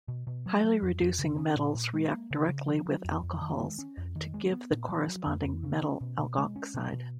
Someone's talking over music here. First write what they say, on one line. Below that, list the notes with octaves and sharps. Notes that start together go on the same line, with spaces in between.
Highly reducing metals react directly with alcohols to give the corresponding metal alkoxide.
B2
B2
F#3
F#3
F2
F2
C#3
C#4
A#2
A#2
G#3
A#3
C#3
C#3
F3
F#3
F2
F2
D#3
G#3
C#4
F2
D#3
G#3
B3
A#2
F3
F#3
F2
F2
C#3
C#4
B2
B2
G#3
C#4
B2
B2